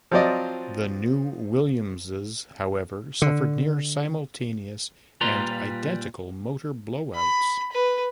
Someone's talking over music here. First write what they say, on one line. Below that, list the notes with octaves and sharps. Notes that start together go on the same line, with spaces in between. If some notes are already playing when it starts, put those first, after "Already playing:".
The new Williamses, however, suffered near-simultaneous and identical motor blow-outs.
F3 F#3 C4 F4 D5 D#5
D3
A#2 G3 F4 B4 A#5 C6
B5
B4